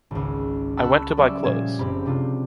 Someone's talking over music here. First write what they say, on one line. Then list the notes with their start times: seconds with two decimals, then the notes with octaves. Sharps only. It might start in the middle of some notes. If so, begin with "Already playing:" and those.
I went to buy clothes.
0.11 G#1 C#2
0.77 A5 B5 C#6 E6 F#6
1.17 F#3 G3 C#4 D5 E5
1.43 A#2 F3 G3 G#6 E7
1.79 F#1 C4 G4 B5
2.05 C3 D4 F4